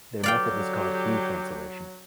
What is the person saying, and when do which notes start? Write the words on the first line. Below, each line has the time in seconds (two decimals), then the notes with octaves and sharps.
Their method was called "hue cancellation".
0.23 D3 F#3 G4 D5 F5 G5